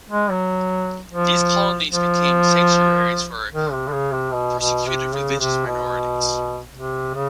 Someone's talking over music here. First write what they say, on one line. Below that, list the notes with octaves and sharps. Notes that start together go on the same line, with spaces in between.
These colonies became sanctuaries for persecuted religious minorities.
G#3
F#3
F3
F3
D#3
C3
D3
C#3
C3
B2
B2
C3
C#3
C3
B2
C3
C#3